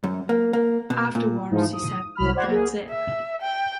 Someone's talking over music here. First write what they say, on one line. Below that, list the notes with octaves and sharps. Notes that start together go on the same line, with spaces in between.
Afterwards he said, that's it.
F#2
A#3
A#3
B2
A#2
G#2 E3 F3 D#4
D#6
C2 F#3 B5 F6
C5 D5 F#5 G#6
A#3 G#4
E5
G5